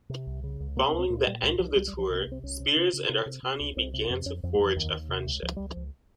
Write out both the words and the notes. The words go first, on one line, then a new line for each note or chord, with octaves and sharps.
Following the end of the tour, Spears and Artani began to forge a friendship.
C3
C2
C#3
C#2
C3 A#3
C4
C#2
C4
A#2 A#3
A#2 G3
C2 G#3
C2 F3
C2 G3
G3
C2
F3
C3 C4
A#3
C2 C4
C2 C#4
C3
C#3
C#3
C3
C3
C3
C#2
C2 C4
C3
F2 C4
F2 C#4
F2 C4
G#3
F2
F3
D#2 D#3
D#2
C3
C#2
C#2 F3
C#2 G3
F3
C#2